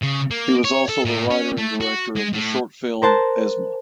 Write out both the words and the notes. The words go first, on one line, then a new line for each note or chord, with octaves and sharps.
He was also the writer and director of the short film "Esma".
C#3
A#3
C#5
A4
A2
C#4
A3
F#4
G#3
A2
A#4 C5 A5 F#6